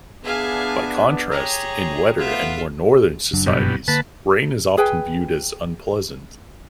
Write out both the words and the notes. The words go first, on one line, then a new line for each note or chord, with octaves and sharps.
By contrast in wetter and more northern societies, rain is often viewed as unpleasant.
B3 D4 G#4 E5 F5 G#5
G4 G#4 C#5 A#5
A3 B3 F4 E5
F#1 F#3 D4
G2 B2
D3 A#3 B4 A5
G#4 B4 G5 G#5